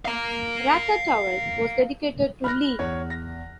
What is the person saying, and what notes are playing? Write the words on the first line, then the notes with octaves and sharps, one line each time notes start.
Ratatouille, was dedicated to Lee.
F5 A#5
B5 F6 F#6 A#6
E2 C#5
A#6